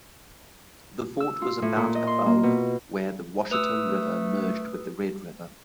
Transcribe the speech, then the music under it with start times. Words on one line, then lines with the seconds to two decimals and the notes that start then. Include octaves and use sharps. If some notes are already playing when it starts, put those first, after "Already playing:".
The fort was about above where the Washita River merged with the Red River.
1.20 E6
1.42 F4
1.62 A2
1.77 A#2
1.95 D#5
2.07 C6
2.26 A#3
2.43 B2
3.51 A3 B4 D#6 E6